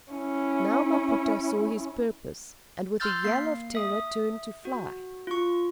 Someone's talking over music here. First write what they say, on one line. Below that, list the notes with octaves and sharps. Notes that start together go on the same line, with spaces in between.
Now Maputa saw his purpose and with a yell of terror turned to fly.
C#4 E4
C6 E6 F6 G6 A6
A#3 C7
E5 D#6
F#4
F4 C#6